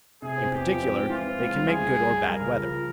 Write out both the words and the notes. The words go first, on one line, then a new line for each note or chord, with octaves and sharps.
In particular they can make good or bad weather.
C3 G#4
C4
E2 G4
F3
C4
G#2
E3 F4
C4
C#2
G3
E3 G#4
C#2
G3
G3
G3 A#4
C#3
F3
F3